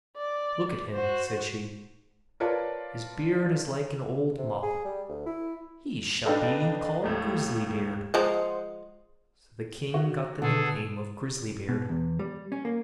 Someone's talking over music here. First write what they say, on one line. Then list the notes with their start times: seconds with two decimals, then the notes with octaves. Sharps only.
'Look at him,' said she; 'his beard is like an old mop; he shall be called Grisly-beard.' So the king got the nickname of Grisly-beard.
0.17 D5
0.93 F#4 C5
2.40 F4 A#4 B4 C#5 D5 A5
4.38 C3
4.62 G#4
4.85 G3
5.09 D2
5.26 E4
6.26 D4 D#4 A4 B4 F5 G5
7.04 D#2 A2 A3
8.14 F3 G#3 C5 F#5 A#5 C6 D#6
9.94 F#4
10.42 B2 D3 G#4 A4
11.69 B2
11.89 E2
12.19 G3
12.52 C#4
12.65 A#3